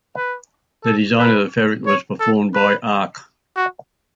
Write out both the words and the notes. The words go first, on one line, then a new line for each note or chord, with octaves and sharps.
The design of the fabric was performed by Arq.
B4
A4
B4
C#5
A4
B4
F#4